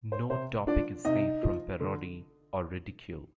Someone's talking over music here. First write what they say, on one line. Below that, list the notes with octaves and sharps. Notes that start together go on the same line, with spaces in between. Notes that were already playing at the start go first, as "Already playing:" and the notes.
No topic is safe from parody or ridicule.
C5
C3 C5
F3 D4 D5
C3 D#4 D#5
F3
D3